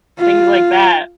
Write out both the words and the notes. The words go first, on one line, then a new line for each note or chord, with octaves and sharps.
things like that.
F4